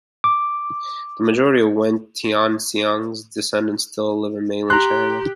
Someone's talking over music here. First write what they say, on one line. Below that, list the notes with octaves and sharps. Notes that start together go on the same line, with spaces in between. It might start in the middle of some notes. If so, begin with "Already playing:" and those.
The majority of Wen Tianxiang's descendants still live in mainland China.
D6
G4 A#5 C6 F#6